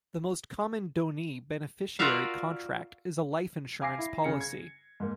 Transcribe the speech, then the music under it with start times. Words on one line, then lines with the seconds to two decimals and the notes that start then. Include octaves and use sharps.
The most common donee beneficiary contract is a life insurance policy.
1.99 F4 F#4 A#4 D5 E5 F5
3.81 F5 G#5 D6 A#6 C7
3.98 E4
4.24 C#3 C#7
4.40 G#6
5.00 G#2 A#3